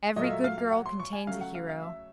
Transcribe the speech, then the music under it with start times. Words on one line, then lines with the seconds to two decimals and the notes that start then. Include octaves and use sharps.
Every good girl contains a hero.
0.16 A#2 F#3 A3 D#5
0.24 F5
0.30 E5
0.44 F5
0.58 F5
0.72 F#5
0.86 C6
1.00 C#6
1.13 G#5
1.27 C#3 F#3 A3 F5
1.41 F#5
1.55 F5
1.69 F5
1.82 E5